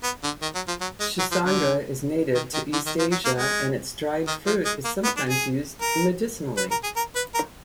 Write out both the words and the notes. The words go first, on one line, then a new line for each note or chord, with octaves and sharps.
"Schisandra" is native to East Asia, and its dried fruit is sometimes used medicinally.
B3
D3
D#3
F#3
F3
F#3
G#3
F#3
F3
D3
D#3
D#3
D3
D#3
F3
F#3
A#3
G#3
D#3
F3
G#3
A#3
B3
D4
G#4
A#4
B4
A#4
G#4
A#4
B4
A#4